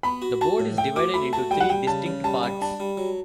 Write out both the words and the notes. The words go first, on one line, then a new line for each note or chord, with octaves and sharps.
The Board is divided into three distinct parts.
B3 B5
F#4
F#4 A5
A2
A3 G5
F#4 D6
A3 B5
F#4 A5
G3 G5
F#5
G3 G5
C#3 A5
C#3
G3 A5
G3
D4 A5
G3
F#3